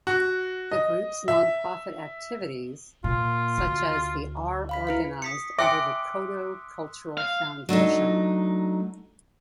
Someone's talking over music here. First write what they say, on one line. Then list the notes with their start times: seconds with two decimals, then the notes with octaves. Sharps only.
The group's non-profit activities, such as the are organized under the Kodo Cultural Foundation.
0.07 F#4
0.71 D#5
1.28 E5
3.04 A#2 F4
3.58 D2
4.69 F5 B5 B6
4.87 E4 B4 F5
5.22 D#6 B6 C#7
5.59 E5 G5 G#5 C6 D6 E6 F#6
7.17 F5
7.69 F#3 A3 D4 D#4